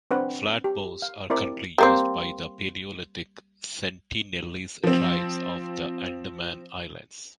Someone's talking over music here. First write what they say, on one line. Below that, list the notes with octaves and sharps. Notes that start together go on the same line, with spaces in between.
Flatbows are currently used by the paleolithic Sentinelese tribes of the Andaman Islands.
C4 D4 B4 F#5
G4
F5
C4 E4 A#4 D5
G3 A#3 C4
F3 C4